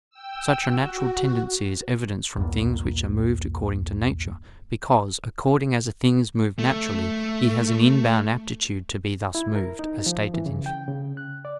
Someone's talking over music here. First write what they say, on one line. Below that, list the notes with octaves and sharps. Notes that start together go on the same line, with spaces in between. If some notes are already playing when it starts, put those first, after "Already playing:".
Such a natural tendency is evidenced from things which are moved according to nature: because "according as a thing is moved naturally, it has an inborn aptitude to be thus moved," as stated in Phys.
G5 E6
F#4
B1 E2 G2 A#2
A3
A3
E4
A#4
D#4
F3
E3
C#3
G5
C#3
F#6
D5